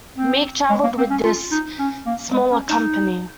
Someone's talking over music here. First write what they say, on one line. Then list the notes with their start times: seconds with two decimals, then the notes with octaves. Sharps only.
Meek traveled with this smaller company.
0.17 C4
0.70 G#3
0.84 A#3
0.98 C4
1.10 C#4
1.24 F4
1.51 D#4
1.79 C#4
2.06 A#3
2.33 G#3
2.52 C#4
2.69 D#4